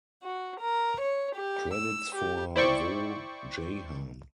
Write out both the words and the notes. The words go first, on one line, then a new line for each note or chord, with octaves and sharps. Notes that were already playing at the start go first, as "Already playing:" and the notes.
Credits for "Woh Jahan".
F#4
A#4
C#5
G4
E6
G4
E4 C5 D5 G5 C#6